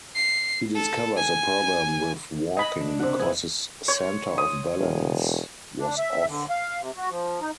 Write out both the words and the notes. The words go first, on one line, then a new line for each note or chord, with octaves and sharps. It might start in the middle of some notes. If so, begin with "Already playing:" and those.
He discovers a problem with walking because his center of balance was off.
C7
A4
G#5
D#5 B5
D4
C3 F#5
B3 E4 G#5
C#5
D#6
E1
D4
E5
D3
F5
C3
F#4
F3
D#4